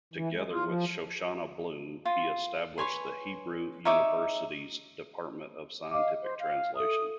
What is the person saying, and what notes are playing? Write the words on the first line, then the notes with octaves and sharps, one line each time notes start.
Together with Shoshana Bloom, he established the Hebrew University's Department of Scientific Translation.
E3
G#3
F4
F3
F4
B4 C#5 G#5 C6
D#4 C#5 E5 D6
D#5 F5 D6
C5
F5
A4 E5 D#6